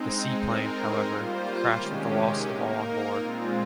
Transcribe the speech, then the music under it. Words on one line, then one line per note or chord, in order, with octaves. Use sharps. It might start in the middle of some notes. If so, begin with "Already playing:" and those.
The seaplane, however, crashed with the loss of all on board.
Already playing: G#3 C4 D#4
G#3 C4 D#4 A#4
G3 A#3 F4 C5
C3 D#3 G#3 C#4 G4
A#3 D#4 A#4
A#2 G#3 C4 F4